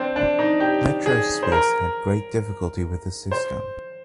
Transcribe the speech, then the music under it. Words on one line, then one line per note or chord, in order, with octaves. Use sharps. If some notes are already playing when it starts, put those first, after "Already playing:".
MeteoSwiss had great difficulty with this system.
Already playing: C4 D4
D4
D#4
G4
G#4
C5
A#4
C5